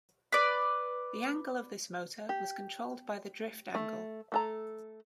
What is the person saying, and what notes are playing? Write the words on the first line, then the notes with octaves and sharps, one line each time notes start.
The angle of this motor was controlled by the 'drift angle'.
B4 D5
G4
A3
A3 A4 A#5